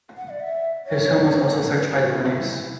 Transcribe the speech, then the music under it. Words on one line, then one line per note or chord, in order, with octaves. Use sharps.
His home was also searched by the police.
F#5
D5
E5
C#5
B4
G4
F#4
E4